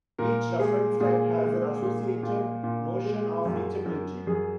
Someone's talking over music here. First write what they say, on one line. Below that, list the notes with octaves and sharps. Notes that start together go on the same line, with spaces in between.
Each reference type has an associated notion of reachability.
A#2 A#4
G#3 G#4
A#2 G#4
G#3
A#2
A#2
A#2
G#3
F#2
F#2
F#2 G#4